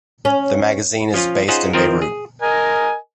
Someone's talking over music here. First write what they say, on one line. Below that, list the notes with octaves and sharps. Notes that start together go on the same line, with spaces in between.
The magazine is based in Beirut.
C#4
F3 C#4 F4
C#4 D#4 F4 G#4 C5 F#5
D#3 F3 C4 F4 A#4
G#4
A#4 D#5 G#5